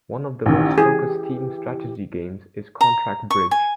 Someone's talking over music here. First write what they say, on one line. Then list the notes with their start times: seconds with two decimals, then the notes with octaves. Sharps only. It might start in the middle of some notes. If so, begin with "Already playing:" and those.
One of the most focused team strategy games is contract bridge.
0.46 A1 D#3
0.78 E3 G4 G#4
2.81 A#5
3.30 C#6
3.51 G#5